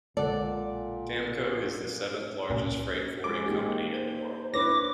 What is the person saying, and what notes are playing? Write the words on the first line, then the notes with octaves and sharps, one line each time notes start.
Damco is the seventh largest freight forwarding company in the world.
B1 A#2 D3 G#3 A4 D5 F#5
C#2 A#2 C#4
G#3 D6
A#3 D#4 G4
C5
D4 E4 B4 C#5 D6 A#6